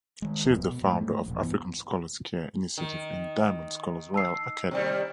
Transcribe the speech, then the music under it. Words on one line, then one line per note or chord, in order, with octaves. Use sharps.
She is the founder of African Scholars Care Initiative and Diamond Scholars Royal Academy.
D#3 G#3
D1 F2 B2 B3
B2
A1 G#2 G#3 A3
E1 A#1
C2 G2 E3 B3
D#3
A5 E6 C7
C3 D#3 G3